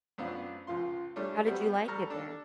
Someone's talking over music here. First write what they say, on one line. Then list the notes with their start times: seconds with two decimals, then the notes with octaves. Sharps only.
How did you like it there?
0.18 F#2 B3 C4 D4 F4
0.67 C#2 F3 F4 C6
1.16 G3 A3 C#4 D4
1.46 G3 A3 B3 C4 F#4 G4
1.88 G3 A4 A#5 C#6 F6
2.10 D4 A4